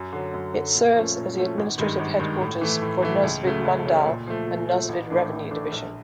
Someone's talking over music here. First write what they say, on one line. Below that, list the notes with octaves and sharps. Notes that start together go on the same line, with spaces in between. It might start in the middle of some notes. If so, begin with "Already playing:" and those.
It serves as the administrative headquarters for Nuzvid mandal and Nuzvid revenue division.
Already playing: F#2
D3 F#3
F#2
D3 F#3
A#2
F3 A3 C#4
A#2
F3 A3 C#4
G#1
G2 D#3 G#3
G#1
G2 D#3 G#3
A2
E3 A3
A2
E3 A3
C#2
C#3 F#3 A3
C#2
C#3 F#3 A3
A#2
F3 A3
A#2
F3 A3
A1
A2 E3 A3 D4
A1
A2 E3 A3 D4
A#1